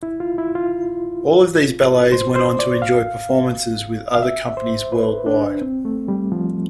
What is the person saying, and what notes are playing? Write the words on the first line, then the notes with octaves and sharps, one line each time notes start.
All of these ballets went on to enjoy performances with other companies worldwide.
E4
F4
E4
F4
C5
C5
D5
F5
F5
E5
C5
B4
D4
C4
A3
G3
F3